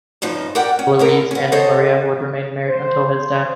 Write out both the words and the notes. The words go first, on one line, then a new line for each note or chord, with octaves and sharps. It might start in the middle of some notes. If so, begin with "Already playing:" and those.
Luiz and Maria would remain married until his death.
G2 C#3 F3 D#4
G4 A#4 D5 F#5 G5
C#4
D3 E4 A#4
B3 C#4
G#4 A4 C5 C#5 D#5 F#5
C5